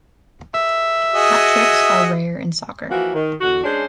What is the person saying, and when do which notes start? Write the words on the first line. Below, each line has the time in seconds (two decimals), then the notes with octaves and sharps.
Hat tricks are rare in soccer.
0.54 E5
1.13 F#4 G#4 D#5
2.89 E3 F3 A#3 E4 F#4
3.14 D#3
3.41 E2 D3 F#4
3.64 G#3 C#4 D4 G#4 C5